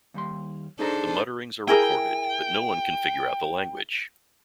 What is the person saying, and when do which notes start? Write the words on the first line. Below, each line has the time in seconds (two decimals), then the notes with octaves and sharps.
The mutterings are recorded, but no-one can figure out the language.
0.14 D#2 G3 C6
0.79 D4 D#4 G#4 A4 C5 A#5
1.68 E4 G#4 A#4 G5